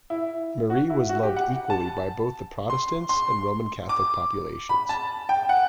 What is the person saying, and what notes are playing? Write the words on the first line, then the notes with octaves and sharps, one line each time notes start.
Marie was loved equally by both the Protestants and Roman Catholic populations.
E4
F#4
E4
F#4
G4
F#5
A5
C6
C6
D6
B5
A5
G5
F#5